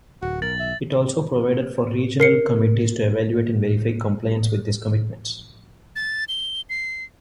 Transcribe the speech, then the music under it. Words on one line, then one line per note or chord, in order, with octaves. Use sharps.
It also provided for regional committees to evaluate and verify compliance with these commitments.
D1 F#4
B1 A#4 A6 F#7
E5
A#4 C7 C#7
A6
G7
C7